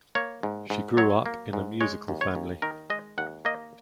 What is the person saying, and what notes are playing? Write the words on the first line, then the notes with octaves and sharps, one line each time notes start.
She grew up in a musical family.
A#3 C#5
G#2
G#2
F#3 C#5
A#3
G#2
G#3 C#5
D#2
C#5
D#2
D#3 A#4
G#3 D#5
D#2 F#5
A#3 D#5